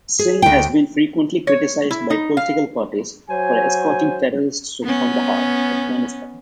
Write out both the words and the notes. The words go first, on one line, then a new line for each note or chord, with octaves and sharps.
Singh has been frequently criticized by political parties for escorting terrorists to Kandhahar, Afghanistan.
G#4
D2 G5
C#5
E4
D#4
F5
F#3 C5 G#5
B3 C#4